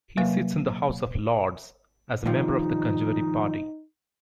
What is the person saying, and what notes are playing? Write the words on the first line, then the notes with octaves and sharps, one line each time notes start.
He sits in the House of Lords as a member of the Conservative Party.
C3 F#3 A#3 B4 F5
G2 D#3 F3 D#4